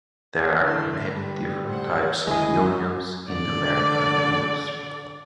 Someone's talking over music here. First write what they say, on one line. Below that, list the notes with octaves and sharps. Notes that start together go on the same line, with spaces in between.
There are many different types of unions in the maritime industry.
D3 A3 D4 E4 C6
G3 B4
C5 F#5
D2 D#3 G#3 E4 G#4 D#5
D3 D5